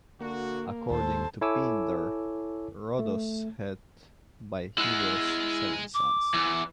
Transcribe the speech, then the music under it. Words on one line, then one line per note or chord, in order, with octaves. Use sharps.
According to Pindar, Rhodos had, by Helios, seven sons.
D3 A#3 F#4
D#2 A4 C5 A5
E4 A4 C#5 G#5 D6 E6
A3
G#3 E4 F#5
D6
E2 E3